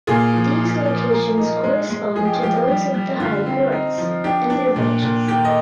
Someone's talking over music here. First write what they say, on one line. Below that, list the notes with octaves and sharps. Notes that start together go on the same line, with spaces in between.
These locations correspond to those of the High Courts and their branches.
A#2 F4 G#4
F3
F3
F3
A#3
D#4
G#3
G#3
F3 G#4
G4
F4
F3 G4
G3
G3
D3 F4
C4
D#4
F3
D4 G4
D4
A#2
A#2
D#3 G4
D#5